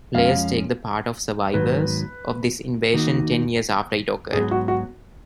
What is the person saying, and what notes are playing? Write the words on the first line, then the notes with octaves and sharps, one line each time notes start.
Players take the part of survivors of this invasion ten years after it occurred.
F2 F3 G#3 C#4 F5
G#2 D#3 F#3 B3 B4
D#3 A#3 D#4 F#4
G#2 F#3 B3 G#4
F#4
F#4